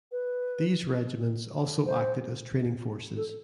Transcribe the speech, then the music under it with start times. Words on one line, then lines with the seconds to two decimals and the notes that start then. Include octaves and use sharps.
These regiments also acted as training forces.
0.12 B4
1.86 C5
3.16 A4